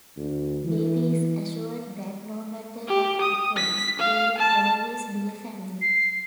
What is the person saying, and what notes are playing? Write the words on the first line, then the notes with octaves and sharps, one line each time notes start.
Baby is assured that no matter what happens, they will always be a family.
D2
E3
G4
D#6
B6
F5
A5
C7